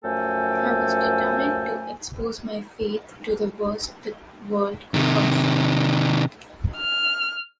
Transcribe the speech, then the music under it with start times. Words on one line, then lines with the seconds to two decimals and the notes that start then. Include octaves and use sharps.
I was determined to expose my faith to the worst the world could offer.
0.04 F#2 F3 A3 A4 G5 G#5
4.94 C3 D#3
6.76 F6